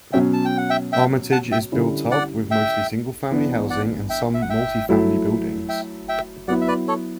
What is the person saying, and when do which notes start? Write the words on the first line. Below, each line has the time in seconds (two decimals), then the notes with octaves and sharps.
Armatage is built up with mostly single-family housing and some multifamily buildings.
0.12 B2 F#3 C#4 E5 G5
0.33 A5
0.45 G5
0.58 F#5
0.70 E5 G5
0.93 E5 G5
1.32 F#5 A5
1.52 E5 G5
1.72 D3 G3 C#4 E4
2.11 D5 F#5
2.51 E5 G5
3.31 E3 B3 D4
3.70 D5 F#5
4.10 E5 G5
4.34 E5
4.42 F#5
4.50 E5 G5
4.89 F#3 A3 E4
5.69 E5 G5
6.08 E5 G5
6.48 F#3 B3 E4 D5 F#5
6.61 E5
6.68 B4 D5
6.88 A4 C#5